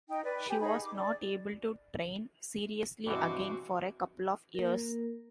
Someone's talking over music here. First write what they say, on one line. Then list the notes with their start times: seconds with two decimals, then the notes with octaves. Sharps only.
She was not able to train seriously again for a couple of years.
0.09 D#4 G5
0.24 B4 D5
0.48 G4 G#5
0.60 D#4 G#4 B5
0.82 D6
0.94 D5
3.06 G2 B2 E3 C4 F#4 D6
4.55 A#3 A#4